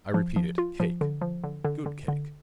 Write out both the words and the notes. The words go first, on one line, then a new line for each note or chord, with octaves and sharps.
I repeat it, cake--good cake.
F3
F3
F4
F3
D3
F3
D3
D3
D3
D3